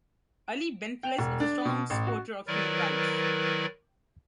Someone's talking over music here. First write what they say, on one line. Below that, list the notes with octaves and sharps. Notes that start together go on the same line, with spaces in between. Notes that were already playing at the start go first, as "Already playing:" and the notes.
Ali Benflis is a strong supporter of human rights.
G5
E1
D4
B2
A1
F#4
D#3 F#3 E4 A#4 B4 D5